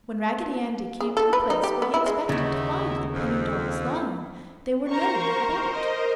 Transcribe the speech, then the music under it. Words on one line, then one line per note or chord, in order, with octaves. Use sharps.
When Raggedy Andy came to the place where he expected to find the penny dolls lying, they were nowhere about.
G#4
A4
B4
D#4
G4
B3
E4
G#3
D#2 C#3 B3 D#4 E4
F2
A#4 C5 A#5 C#6
D#5